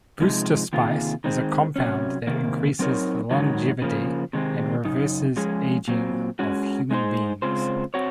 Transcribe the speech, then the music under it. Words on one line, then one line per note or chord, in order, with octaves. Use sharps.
Boosterspice is a compound that increases the longevity and reverses aging of human beings.
C3 F3 G#3 D#4
C3 D#3 A#3 F4 G#4
D#3 G#3 C4
C3 F#3 C#4
C3 D#3 A#3
F#3 C4 D#4 A#4 C#5
G#2 D#3 F#3
C#3 F3 A#3
C3 D#3 G#3 C4
F#2 C#3 D#4
F3 G#3 C#4 G#4
A#2 F#3 C4
G#3 C#4 F#4
G#3 D#4 G#4 C5
C#3 G#3 C4 F4 C5
C4 F#4 C#5